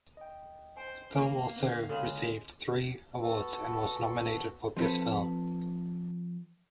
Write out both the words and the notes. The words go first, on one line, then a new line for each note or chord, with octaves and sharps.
The film also received three awards and was nominated for "Best Film".
D#5 G5
C5 G#5
A#3
D3 B3
C#3 G#3 C#4 F#4 A4
B3 F#4 A4
F3 C4 A4 B4